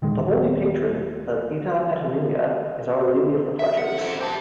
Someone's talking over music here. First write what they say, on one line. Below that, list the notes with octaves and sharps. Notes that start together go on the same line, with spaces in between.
The holy patron of Itapetininga is Our Lady of the Pleasures.
D#1 D#3 G#3
E5
F#5
A4 C5
G4 A5